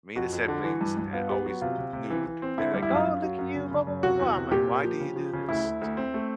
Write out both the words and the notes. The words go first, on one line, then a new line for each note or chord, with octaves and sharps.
Me and the siblings and always nude, and they're like, "Oh, look at you, blah, blah, blah, blah." I'm like, "Why do you do this?
F2 F#4
F2
D3
E3
G2
G2
B3 F4
B3 G4
F#3 F#4
C3 F4
C3
C3
E3
E3
C4
D3 E4
G3
E4
F#2 F4
F#2
F#3
F#2
C#3
C#3
F#2
C3 F#4
E2
C3
A#2 G4
A#3
F3
C#3
F3
C#3
D2 E4
D2
D2
C4
A3